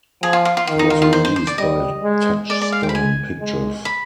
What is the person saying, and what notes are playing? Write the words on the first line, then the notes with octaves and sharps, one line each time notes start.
It was released by Touchstone Pictures.
F3 G#4
F4
F4
F4
D#3 F4
D#4
F4
F4
C5
C5
C5
D5
G3 D#5
G#3
G#3 D5
D5
F5
G5
B5
G#5
G#3
B5